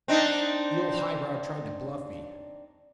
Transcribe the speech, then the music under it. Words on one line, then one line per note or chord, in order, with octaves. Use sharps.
'The old high-brow tried to bluff me.
C4 D4 D#4